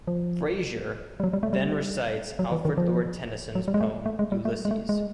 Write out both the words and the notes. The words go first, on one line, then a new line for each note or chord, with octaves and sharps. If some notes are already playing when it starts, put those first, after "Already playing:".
Frasier then recites Alfred Lord Tennyson's poem "Ulysses".
F3
G3
F#3
G3
A3
G3
F#3
E3
D#3
F3
F#3
G3
G#3
A3
A3
G#3
G3
A3
G#3
A3
G#3